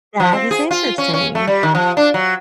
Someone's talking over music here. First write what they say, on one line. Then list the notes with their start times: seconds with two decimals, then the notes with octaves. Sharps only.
That is interesting.
0.20 F3
0.33 C4
0.51 G#4
0.71 F4
0.98 C#4
1.13 C#4
1.35 A3
1.47 G3
1.63 D#3
1.75 F3
1.97 D4
2.14 F#3